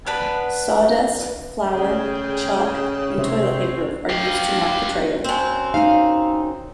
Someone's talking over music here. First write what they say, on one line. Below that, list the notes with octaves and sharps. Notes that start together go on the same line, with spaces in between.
Sawdust, flour, chalk, and toilet paper are used to mark the trail.
B3 D4 B4
C#3 A3 G#4 G5
C3 C4 C#5
G4 F5
F#2 C4
D#4 F5